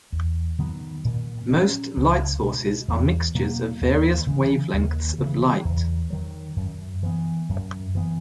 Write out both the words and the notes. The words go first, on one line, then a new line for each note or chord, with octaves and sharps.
Most light sources are mixtures of various wavelengths of light.
E2
D#3 F#3 B3
A#2
F#3 C#4
C#2
B2 G#3
E2
B2 F#3 A#3
D#2
C#3 E3 G#3
D#2
C#3 E3
E2
D#3 F#3
F#2
E3 B3
F#2
E3 B3